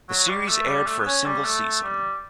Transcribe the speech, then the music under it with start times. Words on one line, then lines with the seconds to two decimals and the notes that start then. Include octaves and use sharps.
The series aired for a single season.
0.09 F#3
0.29 G3
0.48 A3
0.67 G3
0.87 A3
0.99 B3
1.06 C#4
1.25 G3
1.45 A3
1.83 G3